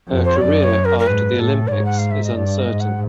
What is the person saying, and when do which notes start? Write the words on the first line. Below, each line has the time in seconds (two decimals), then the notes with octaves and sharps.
Her career after the Olympics is uncertain.
0.09 F2
0.24 C5
0.36 C#5
0.41 F#2 D5
0.63 C#5
0.85 A#4
0.99 A#4
1.06 G#2 B4
1.39 A2 A4
1.68 D5
1.71 G#2 C#5
1.85 F#5
1.98 F5
2.11 E5
2.24 D#5
2.36 G2 D5
2.59 D#5
2.69 G#2
2.80 F#5